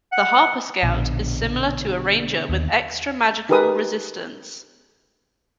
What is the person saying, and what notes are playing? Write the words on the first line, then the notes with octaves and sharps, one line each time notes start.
The Harper Scout is similar to a Ranger with extra magical resistance.
F#5
A#1 B2 D3
D#2
D#4 G4 G#4 A#4 B4 D#6